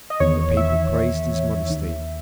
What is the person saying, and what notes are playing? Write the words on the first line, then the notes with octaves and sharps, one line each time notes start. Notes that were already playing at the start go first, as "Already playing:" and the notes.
And the people praised his modesty.
D#5
E2 D#3 C#5
E5
D#2 D#3